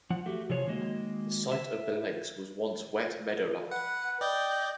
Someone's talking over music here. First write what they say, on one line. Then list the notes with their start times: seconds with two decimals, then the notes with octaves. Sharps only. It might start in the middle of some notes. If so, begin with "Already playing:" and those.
The site of the lakes was once wet meadowland.
0.10 F3 F#5
0.26 A3 F#4 G4
0.50 C3 F3 G#4 C#5
0.67 D#3 G#3 A#3 F#4 D#5
1.52 E5
3.72 B4 F#5
4.21 D5 D#5 G5 G6